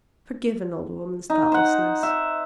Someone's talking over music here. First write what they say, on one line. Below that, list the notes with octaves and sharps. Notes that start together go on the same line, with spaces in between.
Forgive an old woman's thoughtlessness.
D#4
C5 F#5
E5